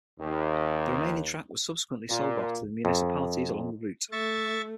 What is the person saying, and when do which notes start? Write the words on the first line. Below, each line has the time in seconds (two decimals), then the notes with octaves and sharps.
The remaining track was subsequently sold off to the municipalities along the route.
0.19 D#2
2.10 A#2
2.85 F2
4.12 A3 E5 C#6 A6